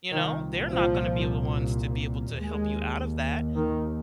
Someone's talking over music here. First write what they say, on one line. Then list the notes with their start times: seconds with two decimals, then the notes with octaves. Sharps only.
you know? They're not gonna be the ones to be able to help you out of that.
0.12 C2 A#2 D#3
0.70 F3
2.40 D#2 G#3
3.55 D#3